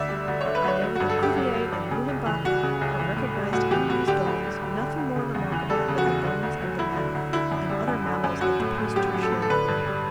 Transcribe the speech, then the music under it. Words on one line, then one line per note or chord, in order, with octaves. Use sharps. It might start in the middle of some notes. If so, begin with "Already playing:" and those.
I know that Cuvier and Blumenbach have recognised in these bones nothing more remarkable than the bones of the mammoth and other mammals of the post-tertiary period.
Already playing: D2 D3 D5 E5
G3
D2
C#5
D3
B4
D2 C#5
F#3
F#4
G2
A4
G2 G4
F#3
F#3
G2
C#3
C#2
E3
G3 F#4
C#3
C#2
E3
A2
G3
A2 F#4
E3 G4
A2 F#4
D3 G4
D2
G3
D2
D3
D2
C#3
E2
E3
G3 A4
C#3
F#4
E2
D3
D2
F#3
D2 E4
D3
D2
D3 E4
F#2
G3
F#2
D3
F#2
F#3 F#4
A2
A2
F#3 G4
F#3
A4
A2
A4
D3 B4
G2
G3